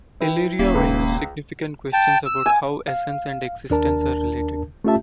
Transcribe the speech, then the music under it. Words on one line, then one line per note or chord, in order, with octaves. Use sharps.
Illyria raises significant questions about how essence and existence are related.
E4 B4 G5
D#1 A#3 C#4 E5
C#2 B4
G5 A5
E6
G#5
F5
D#2 D4 A#4 A5
A3 C#4 F4 G4 E5 A5